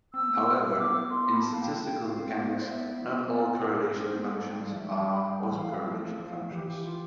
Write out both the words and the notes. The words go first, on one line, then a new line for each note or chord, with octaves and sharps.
However, in statistical mechanics, not all correlation functions are autocorrelation functions.
C4 E6
B3
A3
B3
E6
B3 D6
C6
B5
A5
F5
G5
G5
G5
C4 F5
B3
C5
D5
B3 E5
C5
D5
C4 C5
A3
B3
G3 A4
A3
G5
G3 F5
F3 D5 E5
G3
G5
B5
G5
E3 F5
F3
G3
F5
A3 E5
F3 F5
E3 G4
G4
F4